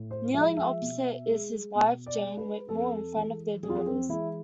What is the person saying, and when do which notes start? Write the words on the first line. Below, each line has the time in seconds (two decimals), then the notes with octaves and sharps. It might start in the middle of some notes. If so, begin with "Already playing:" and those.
Kneeling opposite is his wife Jane Whitmore in front of their daughters.
Already playing: A2
0.11 C5
0.34 F3 G#3 E5
0.57 E5
0.81 B2
1.28 G#3
1.75 B2
2.06 D5
2.22 G#3
2.37 B4
2.69 F2 A4
3.16 E3 G#3
3.63 F2 G#4
3.70 F4
3.77 G#4
3.86 C4
4.09 E3 G#3 E4